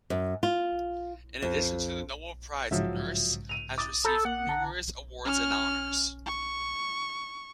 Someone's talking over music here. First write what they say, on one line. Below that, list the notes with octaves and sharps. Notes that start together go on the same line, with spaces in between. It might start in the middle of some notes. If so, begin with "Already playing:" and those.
In addition to the Nobel Prize, Nurse has received numerous awards and honours.
F#2
F4
F2
G#2 C#3 F3 F#3 E5
D#7 F7
D6 D#6 A6
A4 A#5 B5 G6
A#3 F#5
D3 A5 A#5
C#4 F6
C#6